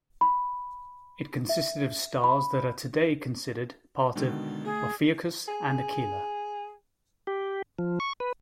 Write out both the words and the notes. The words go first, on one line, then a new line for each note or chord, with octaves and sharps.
It consisted of stars that are today considered part of Ophiuchus and Aquila.
B5
E5
B5
B2 D3 D#3 G#3
A3 G#4
G#4
G4
F3
C#6
B4